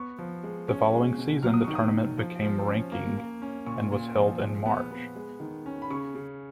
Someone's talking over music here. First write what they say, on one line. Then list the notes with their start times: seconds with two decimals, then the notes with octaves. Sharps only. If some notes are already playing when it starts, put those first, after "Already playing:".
The following season the tournament became ranking and was held in March.
Already playing: B3 C#6
0.19 F3
0.44 G#3
0.68 C#4
0.93 G#3
1.18 B2
1.43 F#3 F6
1.54 D#6
1.64 D#3 C#6
1.75 D#6
1.93 D#3
2.17 F3
2.42 F3
2.67 C#4
2.92 A#3
3.17 A#3
3.42 C#4
3.66 A#2 C#6
3.92 A#2
4.16 F3
4.41 G#3
4.66 B3
4.91 B3
5.16 G#3
5.40 D#3
5.66 C#4
5.82 B5
5.90 C#3 C#6
6.15 C#3